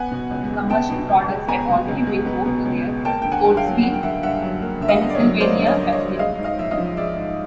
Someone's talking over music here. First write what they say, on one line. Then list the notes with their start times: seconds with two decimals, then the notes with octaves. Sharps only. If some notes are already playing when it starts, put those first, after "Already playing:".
The commercial products had already been moved to their Coatesville, Pennsylvania facility.
Already playing: B3 F#5 G#5
0.11 B2
0.31 C#2
0.50 G#3
0.70 B3 G5 A5
0.90 B2
1.09 C#2
1.29 G#3
1.48 B3 G#5 A#5
1.69 B2
1.88 C#2
2.07 G#3
2.26 B3
2.46 B2
2.65 C#2
2.85 G#3
3.05 A#3 G5 A5
3.22 D3 G5
3.32 F#5 G#5
3.44 G2
3.57 F5 G5
3.64 F#3
3.83 A#3 F#5
3.94 G5
4.03 D3 E5 F#5
4.23 G2 E5 F#5
4.42 F#3
4.62 A#3
4.81 D3 E5
4.88 D#5 F5
5.01 G2
5.10 D5
5.15 C#5
5.20 F#3
5.40 A#3 C5 D5
5.59 D3
5.66 C#5 D#5
5.80 G2
5.93 C#5 D#5
6.00 F#3
6.14 E5
6.19 G#3 D#5 F5
6.38 G#2
6.44 D#5 F5
6.58 A#1 E5
6.71 D#5 F5
6.78 F3
6.97 G#3 D5 E5
7.17 G#2